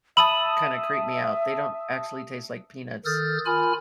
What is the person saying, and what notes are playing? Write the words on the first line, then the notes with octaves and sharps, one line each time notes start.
kinda creep me out, they don't actually taste like peanuts.
E5 A5 B5 D#6 E6 F#7
D#3 A4 D#6 F6 G6 A6
F4 A#4 G#5 B5 F6